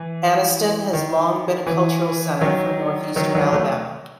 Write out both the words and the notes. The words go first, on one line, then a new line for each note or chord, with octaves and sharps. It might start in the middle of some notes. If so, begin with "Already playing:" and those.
Anniston has long been a cultural center for northeastern Alabama.
Already playing: E3
D#3
E3
D#3 F#3
D#3 F#3
D#3 F#3
F#3 A3